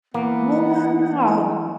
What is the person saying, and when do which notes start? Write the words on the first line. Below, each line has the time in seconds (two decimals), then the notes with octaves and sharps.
Oh, wow.
0.14 E3 A#3 B3 F#5